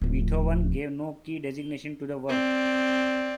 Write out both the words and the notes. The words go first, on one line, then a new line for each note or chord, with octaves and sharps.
Beethoven gave no key designation to the work.
D1 F3
C4 D5